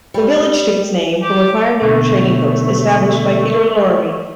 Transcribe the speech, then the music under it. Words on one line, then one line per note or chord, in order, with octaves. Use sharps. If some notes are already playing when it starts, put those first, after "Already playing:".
The village took its name from a pioneer trading post established by Peter Loramie.
G3
G4
B2 D3 A3